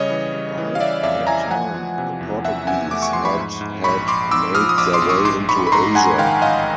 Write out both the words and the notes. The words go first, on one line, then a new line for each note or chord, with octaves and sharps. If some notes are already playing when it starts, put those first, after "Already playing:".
By that time, the Portuguese had had made their way into Asia.
Already playing: C#3 G3 C#5 D#5
E3
G3
E3
F5
C#3 D5 E5
F2 D5 E5
E3 G#5 A#5
F3 F#5 G#5
F3
C3
E2
E2 E5 F#5
E2 F#5 G#5
A3 D6
C#6
F3 C6
B5 C#6
G#2
G#2
A#1 B5 C#6
A#1 C6 D6
G#2 D6 E6
F3 D#6 F6
D#6
A#1 D6 E6
C6 D6
A#1
C#6 D#6
G#2 C6 D6
G#2 B5 C#6
B5
G#2 A#5 C6
G#3 F#5 G#5
D#3 F5 G5
A1 D#5 F5